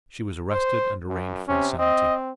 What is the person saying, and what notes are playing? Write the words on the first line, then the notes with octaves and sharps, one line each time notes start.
She was arrested and arraigned for insanity.
C5
F#2
C3 C#4
C4 D#5